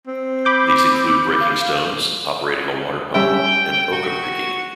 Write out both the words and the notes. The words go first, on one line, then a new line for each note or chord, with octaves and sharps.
These included breaking stones, operating a water pump, and oakum picking.
C4
B5 D6 G6
F5
G3 C#4 E5 G5
F#4